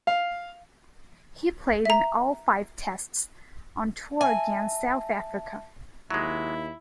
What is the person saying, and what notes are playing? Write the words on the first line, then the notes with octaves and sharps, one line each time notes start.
He played in all five Tests on tour against South Africa.
F5
E5 A#5
E5 G#5 A5
D#2 F#3 G#3 E4